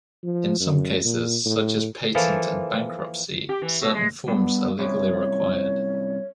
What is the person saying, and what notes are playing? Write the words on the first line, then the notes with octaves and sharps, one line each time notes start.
In some cases, such as patent and bankruptcy, certain forms are legally required.
F3
F#2
A#2
A2
E3 F3 A#3 A4
G4
E3
B2
G#3
G2 B3
C2 F#2 C#5